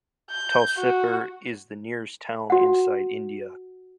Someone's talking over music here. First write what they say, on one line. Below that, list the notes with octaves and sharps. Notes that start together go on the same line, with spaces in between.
Tulsipur is the nearest town inside India.
G6
F#4
F#4 F#5